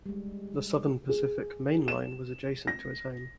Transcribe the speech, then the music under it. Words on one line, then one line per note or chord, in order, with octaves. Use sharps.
The Southern Pacific main line was adjacent to his home.
G3 G#3
G#4
E7
A#6